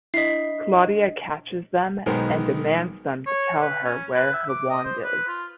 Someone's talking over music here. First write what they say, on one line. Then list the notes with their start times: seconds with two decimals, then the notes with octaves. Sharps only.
Claudia catches them, and demands them to tell her where her wand is.
0.14 D4 E4 D#5 B6 C7
2.06 B1 D#3 G#3 B3 A#4 C5
3.26 C#5
3.61 B4
3.83 C#4
4.14 B4
4.33 E5
4.49 D6
4.70 D#5
4.85 C5
5.04 B4
5.28 F4